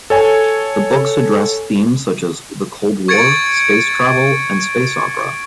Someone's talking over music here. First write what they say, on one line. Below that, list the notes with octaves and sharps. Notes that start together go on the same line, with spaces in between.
The books address themes such as the Cold War, space travel, and space opera.
A4 C#5 G#5
C#6 G#6 A6 C#7 D7